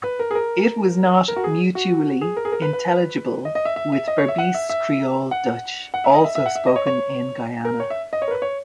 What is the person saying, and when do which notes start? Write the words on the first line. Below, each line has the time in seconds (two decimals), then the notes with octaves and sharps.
It was not mutually intelligible with Berbice Creole Dutch, also spoken in Guyana.
0.04 B4
0.19 A#4
0.31 G#4
0.35 A#4
1.28 A#4
1.36 F#4
1.44 G#4
1.75 F#4
2.21 G#4
2.37 A#4
2.45 G#4
2.52 A#4
2.62 B4
2.73 B4
3.45 D#5
3.55 D#5
3.65 E5
3.76 E5
3.92 E5
4.08 D#5
4.18 C#5
4.28 E5
4.38 F#5
4.54 E5
4.69 E5
5.31 F#5
5.94 F#5
6.04 E5
6.14 D#5
6.24 E5
6.35 E5
6.46 F#5
6.55 E5
6.67 D#5
6.76 C#5
6.87 C#5
7.65 A#4
7.80 C#5
7.90 E5
8.13 D#5
8.22 C#5
8.28 A#4
8.31 B4
8.42 C#5